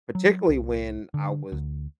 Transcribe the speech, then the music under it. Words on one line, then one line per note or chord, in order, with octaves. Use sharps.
particularly when I was
F#3
C2
D3
D2